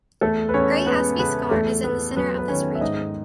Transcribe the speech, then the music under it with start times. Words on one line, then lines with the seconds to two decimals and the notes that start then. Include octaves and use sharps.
Great Asby Scar is in the centre of this region.
0.21 E2 A3 A4
0.49 B4
0.54 E2 C#4 C#5
0.86 G#3 B3 B4
1.19 C#3 B3 B4
1.51 E2 A3 A4
1.84 A3 B3 B4
2.16 F#3 B3 B4
2.38 B4
2.48 D#3 C#4 C#5
2.75 E5
2.81 G#2 D#4 D#5